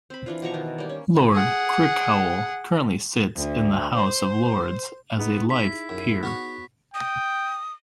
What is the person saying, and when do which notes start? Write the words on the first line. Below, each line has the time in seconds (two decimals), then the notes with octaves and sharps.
Lord Crickhowell currently sits in the House of Lords as a life peer.
0.10 C4 B5
0.26 E3 D4 F4
0.42 B2 F3 A#5 C#6
0.54 D#3 E3
0.78 G3 A#3
0.89 C#4
1.32 G#4 F#5
3.36 D2
3.94 C5
5.18 B3 D#4 G#4
5.50 E4 B6
5.89 F#2
6.23 B3 F#4 C#5
6.94 G5 D#6